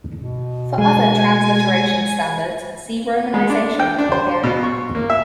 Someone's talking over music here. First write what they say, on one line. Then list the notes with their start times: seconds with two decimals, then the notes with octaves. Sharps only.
For other transliteration standards see Romanization of Bulgarian.
0.16 B2
0.78 G#3 G#5
3.34 G#3
3.50 D4
3.79 G5
3.98 D4
4.12 C5
4.43 B2
4.63 C#6
4.95 A#3
5.10 E5